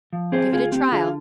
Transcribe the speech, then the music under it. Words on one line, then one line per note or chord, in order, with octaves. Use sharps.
Give it a Trial.
F3
C4 G#4 C5
D2 F4 G#4
C4 G4
D3 F4 G#4